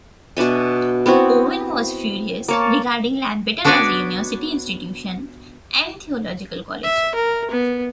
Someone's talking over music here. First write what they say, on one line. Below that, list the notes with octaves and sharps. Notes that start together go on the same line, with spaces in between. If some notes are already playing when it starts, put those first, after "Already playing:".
Owen was furious, regarding Lampeter as a university institution "and" theological college.
B2 D4 E5 G#5
B3 C4 E4 F#4
A#3 C#5 A5
B3 D4 F#4 B4 C#5 D5
E5
A#4
B3